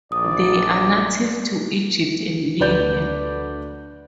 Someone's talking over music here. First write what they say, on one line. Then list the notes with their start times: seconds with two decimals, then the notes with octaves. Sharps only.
They are native to Egypt and Libya.
0.12 A#1 D5 D#6
2.60 D2 B4 D5 G6